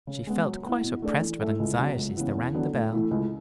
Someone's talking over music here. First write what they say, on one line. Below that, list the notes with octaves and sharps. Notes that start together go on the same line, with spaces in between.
She felt quite oppressed with anxiety as they rang the bell.
C#3
G#3 B3
F#3
B3 E4
B2
A3 D4 G#4 D5
E3
A3 E4 A4 E5
C#2
C#3 F#3 B3
C#2
C#3 E3 B3 E4
E2
D3 F#3 B3 D4
A2
E3 A3 E4
C#2